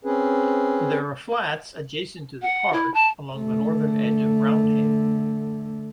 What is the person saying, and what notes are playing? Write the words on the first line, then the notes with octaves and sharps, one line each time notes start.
There are flats adjacent to the park and along the northern edge of Roundhay.
C4 C#4 G#4 B4
F#5
E4
A5
D3 A3